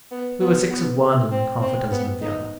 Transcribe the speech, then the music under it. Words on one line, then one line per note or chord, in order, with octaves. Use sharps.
We were six of one and half-a-dozen of the other.
B3
B3
B3
C4
C4
B3
D#4